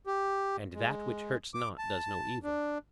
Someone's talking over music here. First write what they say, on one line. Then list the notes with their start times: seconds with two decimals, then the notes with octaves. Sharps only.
And that which hurts not does no evil?
0.07 G4
0.74 G#3
1.54 D6
1.78 A5
2.44 D4